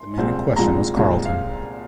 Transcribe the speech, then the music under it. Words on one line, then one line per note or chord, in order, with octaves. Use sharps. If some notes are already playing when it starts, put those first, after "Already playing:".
The man in question was Carlton.
Already playing: C6
C2 A#2 F3 G#3 C4
C2 A#2 F3 G#3 C4 A#5
C2 A#2 F3 G#3 C4
F5